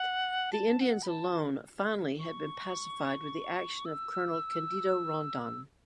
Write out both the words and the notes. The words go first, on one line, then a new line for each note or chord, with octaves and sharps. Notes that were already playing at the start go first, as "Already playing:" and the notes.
The Indians alone finally had been pacified with the action of colonel Candido Rondon.
Already playing: F#5
A5
F#5
B5
A5
C#6
E6